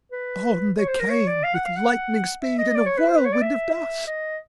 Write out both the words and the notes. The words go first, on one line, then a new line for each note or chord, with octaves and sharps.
On they came, with lightning speed, in a whirlwind of dust.
B4
C#5
C5
A#4
C#5
D5
F5
F#5
F5
F#5
E5
D#5
D5
C#5
B4
C5
B4
C#5
D5
E5
E5
D#5